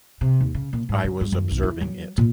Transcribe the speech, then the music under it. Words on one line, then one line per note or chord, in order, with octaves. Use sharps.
I was observing it.
C3
D#2
C#3
A#2
G#2
D3
G2
F#2
B1
E4
F#3
A#2